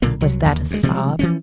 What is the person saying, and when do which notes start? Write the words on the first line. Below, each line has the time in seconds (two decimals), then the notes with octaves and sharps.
Was that a sob?
0.02 B1 A#2 D3 A#3
0.21 C2 F#3
0.46 D#2
0.71 D2 G#3
0.83 C3 F3 G3 G#3
1.19 E3 F3 C#4